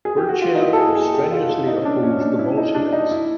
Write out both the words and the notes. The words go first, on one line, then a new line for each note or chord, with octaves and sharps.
Burtsev strenuously opposed the Bolsheviks.
G#4
G4
F#4
F4
D#4
E4
A4
G#4
G#4
G4
F4
E4
D#4
C#4
D4
C#4
D4
E4
D#4
D4
D#4
E4